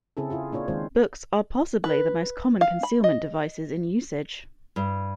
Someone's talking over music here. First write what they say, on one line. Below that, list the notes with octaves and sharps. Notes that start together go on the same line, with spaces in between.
Books are possibly the most common concealment devices in usage.
C#3 C4 C#4 E4 G#4 A4
E4 F4 G#4
A#3 D4 F4 C#5
D#3 G#3 C4 F4 C5
B4
F5
B5
D#5
G2